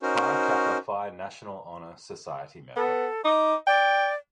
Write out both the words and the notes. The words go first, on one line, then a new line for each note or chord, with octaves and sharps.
Phi Kappa Phi National Honor Society member.
C#4 D#4 F#4 A#4 C5
B3 A4
D#4 D6
D5 G5